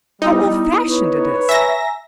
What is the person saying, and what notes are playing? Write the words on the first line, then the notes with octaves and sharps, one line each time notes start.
How old-fashioned it is!
G3 B3 D#4 E4 D#6
B4 C#5
E5 G#5 A#5 A#6